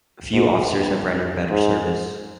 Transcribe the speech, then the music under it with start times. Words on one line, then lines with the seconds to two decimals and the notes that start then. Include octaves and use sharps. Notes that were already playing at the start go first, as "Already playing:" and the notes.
Few officers have rendered better service.
0.33 G#2
0.72 G2
1.50 G#2